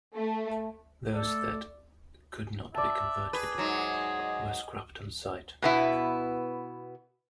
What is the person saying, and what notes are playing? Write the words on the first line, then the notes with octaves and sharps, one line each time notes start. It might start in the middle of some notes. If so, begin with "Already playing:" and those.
Those that could not be converted were scrapped on site.
A3
A3 A4 D5
D5 E5 A5
G#4 B4
G#2 F#3
G#5
D#5
B2 B3 E4